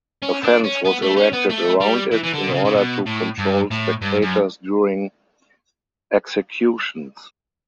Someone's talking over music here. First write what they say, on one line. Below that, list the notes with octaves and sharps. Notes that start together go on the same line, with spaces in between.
A fence was erected around it in order to control spectators during executions.
C#4
D4
C#4
B3
A3
C#4
B3
A3
G3
E3
E3
D3
B2
C#3
C#3
B2
A2
G2
A2
G2
F#2